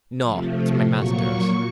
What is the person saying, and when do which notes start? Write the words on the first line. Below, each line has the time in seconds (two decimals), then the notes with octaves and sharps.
"No, it's my master's."
0.20 C3 F3 A3
0.87 A#2 F#3 A#3 C#6